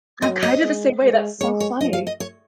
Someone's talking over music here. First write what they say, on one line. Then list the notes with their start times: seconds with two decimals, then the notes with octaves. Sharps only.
I'm, kind of, the same way. That's so funny,
0.22 F#3 D#5
0.43 D#5
0.62 G#3
1.01 G#3
1.41 G#3 C#5
1.60 C#5
1.80 F3 D#5
1.93 F5
2.07 D#5
2.20 C#5